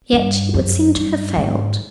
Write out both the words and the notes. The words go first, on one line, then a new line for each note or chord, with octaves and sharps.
Yet he would seem to have failed.
G2
F#2
G2
G#2